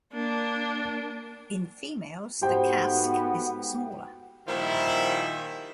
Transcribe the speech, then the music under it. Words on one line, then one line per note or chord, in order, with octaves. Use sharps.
In females, the casque is smaller.
A#3 D4
G#2 A3 B3 F#4 G4 C5 G5
A#2 D#3 F3 G3 E4